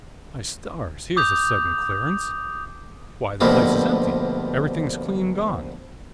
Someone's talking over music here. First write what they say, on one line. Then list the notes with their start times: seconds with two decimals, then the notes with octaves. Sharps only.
'My stars!--here's a sudden clearance!--Why, the place is empty,-- everything's clean gone!'
1.17 D6 D#6 G6 F7
3.41 D2 G2 B2 F3 A#3 C4